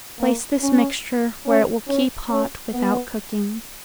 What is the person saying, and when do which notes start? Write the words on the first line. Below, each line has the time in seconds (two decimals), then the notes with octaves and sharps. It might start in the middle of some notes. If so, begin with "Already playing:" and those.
Place this mixture where it will keep hot without cooking.
0.20 A#3
0.61 C#4
1.46 C#4
1.88 C#4
2.30 C#4
2.73 B3